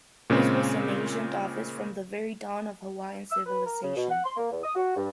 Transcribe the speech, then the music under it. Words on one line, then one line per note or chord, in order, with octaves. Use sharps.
This was an ancient office from the very dawn of Hawaiian civilization.
A#2 C#3 G#3 C4
E6
B4
A#4
C#3
B2
F#5
C6
A#3
E2
D#6
F#4
G2